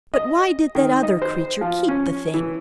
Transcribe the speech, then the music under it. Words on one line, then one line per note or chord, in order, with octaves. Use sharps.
But why did that other creature keep the thing?
D#5
D#3
D#5
C5
F3
C#4
E3